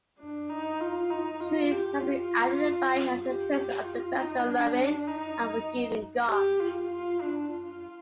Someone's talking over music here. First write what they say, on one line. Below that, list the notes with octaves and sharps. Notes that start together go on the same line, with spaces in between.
"Truth" has been identified as the presence of a personal, loving, and forgiving God.
D4
D#4
F4
D#4
F4
G4
F4
G4
F4
D#4
D4
D#4
G4
F4
F4
D4
F4